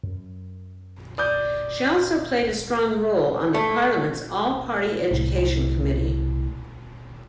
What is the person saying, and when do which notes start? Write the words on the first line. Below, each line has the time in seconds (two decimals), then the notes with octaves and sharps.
She also played a strong role on the Parliament's All-Party Education Committee.
0.04 F#2
1.18 D5 D#6 G6
3.54 A3
5.11 C2 A2